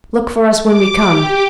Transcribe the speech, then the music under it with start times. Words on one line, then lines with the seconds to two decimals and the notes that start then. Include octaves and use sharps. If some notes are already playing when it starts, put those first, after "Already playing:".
Look for us when we come.
0.66 D6
1.08 G4